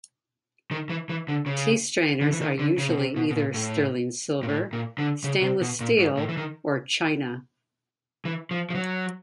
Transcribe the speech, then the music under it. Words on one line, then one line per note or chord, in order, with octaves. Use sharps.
Tea strainers are usually either sterling silver, stainless steel, or china.
D#3
E3
E3
D3
C#3
D3
E3
D#3
D3
C#3
B2
C3
B2
B2
A#2
A2
A#2
A2
A#2
D3
C#3
C3
B2
A#2
G#2
A2
E3
D#3
E3
F3
F3
F#3